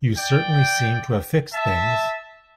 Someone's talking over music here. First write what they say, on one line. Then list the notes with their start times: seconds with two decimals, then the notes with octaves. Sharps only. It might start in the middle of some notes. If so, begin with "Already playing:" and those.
You certainly seem to have fixed things.
0.17 D5 G5
1.53 E5 A5